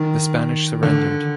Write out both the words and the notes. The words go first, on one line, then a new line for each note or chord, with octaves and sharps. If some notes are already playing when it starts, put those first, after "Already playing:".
The Spanish surrendered.
Already playing: D#3
D3